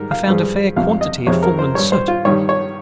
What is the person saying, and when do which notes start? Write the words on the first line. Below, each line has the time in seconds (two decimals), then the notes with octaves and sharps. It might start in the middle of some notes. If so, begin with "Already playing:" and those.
I found a fair quantity of fallen soot.
Already playing: G#2 G3 A#4
0.11 F5
0.28 G2 F3 G#3
0.76 F2 C3 G3 F5
1.01 D#5
1.27 F2 C3 F3 G#3 C#5
1.43 A#4
1.59 C5
1.75 G2 G3 C#5
1.92 C5
2.08 F4
2.25 G2 D#3 G3 C#5
2.49 C#5